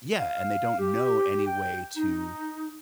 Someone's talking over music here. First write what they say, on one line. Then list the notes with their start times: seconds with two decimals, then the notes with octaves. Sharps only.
Yeah, and they don't know any way to
0.19 F5
0.79 G4
1.46 G5
1.97 D#4